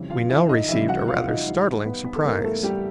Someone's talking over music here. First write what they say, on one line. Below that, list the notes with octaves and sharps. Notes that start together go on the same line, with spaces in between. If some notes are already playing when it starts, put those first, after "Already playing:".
We now received a rather startling surprise.
Already playing: F2 C#3 E3 G3
F4 F5
E4 E5
D#4 D#5
F2 C#3 E3 G3 E4 E5
F#4 F#5
F4 F5
D#4 D#5
G#2 E3 G3
B3 B4
B3 B4
A4
G#2 E3 G3 A#3 A#4
A3 A4
G3 G4